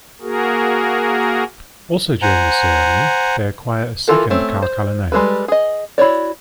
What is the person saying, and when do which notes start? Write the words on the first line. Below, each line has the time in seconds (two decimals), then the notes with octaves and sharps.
Also during this ceremony they acquire a second cow-colour name.
0.22 A#3 F#4 G#4 A#4
2.22 C5 F#5 G#5 A#5
4.08 E3 G#3 F4 A4 A#4
4.30 A3 C4 C#4
4.62 C5
5.12 G3 G#3 C#4 A4 B4
5.48 G#4 D#5
5.98 E4 F#4 C#5 D5